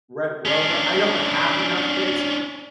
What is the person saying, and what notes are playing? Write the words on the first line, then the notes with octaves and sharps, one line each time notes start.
Red Rover, I don't have enough kids
C#4 D4